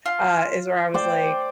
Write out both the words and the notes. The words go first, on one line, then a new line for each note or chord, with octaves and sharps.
uh, is where I was like,
F4
C5 D5 G5